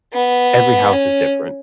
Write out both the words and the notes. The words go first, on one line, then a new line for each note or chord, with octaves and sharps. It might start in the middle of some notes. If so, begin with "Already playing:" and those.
every house is different,
B3
C#4